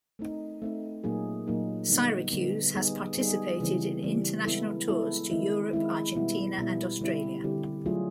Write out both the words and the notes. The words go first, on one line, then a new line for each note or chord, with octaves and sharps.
Syracuse has participated in international tours to Europe, Argentina and Australia.
A3 C4 D#4
A3 C4 D#4
A#2 F#3 A#3 D#4 G#4
A#2 F#3 A#3 D#4 G#4
D3 G3 B3 D#4
D3 G3 B3 D#4
G3 B3 D#4 G#4
G3 B3 D#4 G#4
C#3 E3 G3 C4
C#3 E3 G3 C4
G#3 B3 E4 A4
G#3 B3 E4 A4
D#3 G#3 C4 E4
D#3 G#3 C4 E4
B2 G3 B3 E4
B2 G3 B3 E4
D3 G3 C4 E4 G4
D3 G3 C4 E4 G4
F#3 A3 D4 F4 G#4